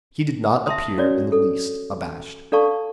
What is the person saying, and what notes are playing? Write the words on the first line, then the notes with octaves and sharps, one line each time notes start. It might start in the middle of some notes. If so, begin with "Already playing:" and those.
He did not appear in the least abashed.
E5 A5 C6 D#6
C#4 F#4 C#5 D5
A4
D4 A4 D5 F5 A5 C#6